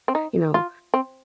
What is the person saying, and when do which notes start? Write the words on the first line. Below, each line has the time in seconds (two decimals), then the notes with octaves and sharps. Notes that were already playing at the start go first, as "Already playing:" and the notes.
you know,
0.08 C4
0.15 D#4
0.54 F4
0.94 C4